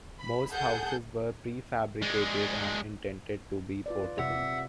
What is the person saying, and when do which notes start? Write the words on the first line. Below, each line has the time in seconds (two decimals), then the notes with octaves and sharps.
Most houses were prefabricated, and intended to be portable.
0.21 B5
0.51 G#4 A4 F#5 G6
2.02 G#3 D4
3.86 F4 B4 D5
4.19 C3 E5 F#5